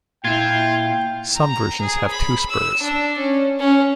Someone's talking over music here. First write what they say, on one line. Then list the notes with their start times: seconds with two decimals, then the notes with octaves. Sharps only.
Some versions have two spurs.
0.24 A#2 E4 F4 G5 G#6 C7
1.35 A#5
1.80 G#4
2.10 B5
2.49 E6
2.82 D4
3.17 C#4
3.59 C#4